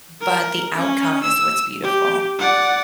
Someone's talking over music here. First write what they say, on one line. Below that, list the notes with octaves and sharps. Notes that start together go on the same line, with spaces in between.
but the outcome is what's beautiful.
A#4
C#4
E6
G4
D5 F#5